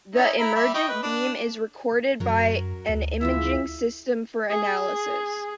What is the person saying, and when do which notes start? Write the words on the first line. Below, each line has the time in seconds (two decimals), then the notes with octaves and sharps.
The emergent beam is recorded by an imaging system for analysis.
0.15 C#4 D#4 E4
0.39 E4 A#4 B5
0.55 G3 E5 B5
0.74 D#5 G5 C#6
0.88 B4
1.02 D4
2.20 F#2 F#3 F#4 A#4
2.89 D2
3.21 E2 C#3 G#3 E4 F4 E5
4.50 G#4